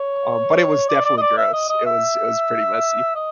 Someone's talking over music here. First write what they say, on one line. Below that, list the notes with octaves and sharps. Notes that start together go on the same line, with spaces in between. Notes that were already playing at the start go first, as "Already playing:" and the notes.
Um, but it was definitely gross. It was it was pretty messy.
Already playing: C#5
D5
D5
D#5
D5
E5
D#5
D#5
E5
D#5